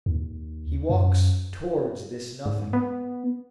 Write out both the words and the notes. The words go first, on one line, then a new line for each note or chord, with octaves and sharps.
He walked towards this Nothing.
D#2
F#2
G#2
B3